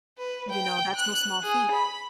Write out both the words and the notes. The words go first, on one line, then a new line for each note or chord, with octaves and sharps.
you know, that's no small feat.
B4
G5
F#6
G#4
B5